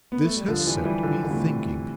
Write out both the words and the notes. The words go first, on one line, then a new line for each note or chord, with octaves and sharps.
This has set me thinking.'
B3
A3
G3
D3 F3
F3
E3 G3
F3
E3 G3
D3 F3
D3
A2 C3